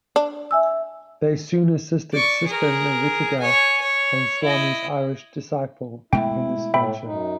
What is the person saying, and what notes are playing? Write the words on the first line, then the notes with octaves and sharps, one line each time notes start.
They soon assisted Sister Nivedita, the Swami's Irish disciple, in this venture.
D4
E5 G#5 E6
D5 C#6
G#4 A#4
C#5 G#5
C#5
E4 D#5
B2 G#3 A3 E4 G5
A2 E5 G5 B5
F#2 D#4